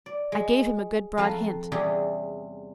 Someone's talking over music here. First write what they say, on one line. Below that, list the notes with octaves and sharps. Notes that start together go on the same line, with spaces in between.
I gave him a good broad hint.
D5
G#3
F2 B4 F5 A5 A#5
E2 C3 G3 C#4 G4 G#4